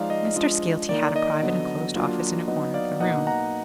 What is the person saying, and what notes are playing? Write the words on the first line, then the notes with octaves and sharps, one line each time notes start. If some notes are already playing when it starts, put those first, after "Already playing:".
Mr. Skeelty had a private enclosed office in a corner of the room.
Already playing: F3 G#3 D#4 D5 F5
D#5
F3 G#3 D4 F4 D#5
D#3 A#3 D#4 D5
D#5
D3 F#3 B3
F#3 A#3 D4 F4
F#3 B3 D#4 D#5
D5 F5
B2 A#3 D#4 D#5 F#5
F#5 A#5